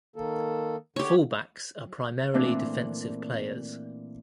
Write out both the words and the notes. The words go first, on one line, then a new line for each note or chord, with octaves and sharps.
Fullbacks are primarily defensive players.
D#3 A#3 A4
D3 G4 C#5
A#2 E3 A3 C4 D4